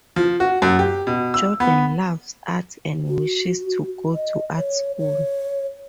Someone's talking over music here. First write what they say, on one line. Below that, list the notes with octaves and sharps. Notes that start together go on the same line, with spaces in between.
Jordan loves art and wishes to go to art school.
F3
F#4
F#2
G4
B2
E6
B3
F#4
D#5
C#5
C#5